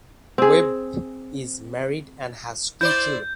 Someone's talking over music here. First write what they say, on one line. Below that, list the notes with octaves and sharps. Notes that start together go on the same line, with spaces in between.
Webb is married and has two children.
C4 G#4
E4 C5 D5 G6